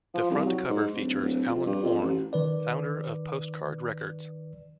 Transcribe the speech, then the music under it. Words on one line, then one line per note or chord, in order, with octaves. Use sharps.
The front cover features Alan Horne, founder of Postcard Records.
F3
C2
F#3
G#2
D1
D1
F2
G2
F2
A1
D#3 B4 D5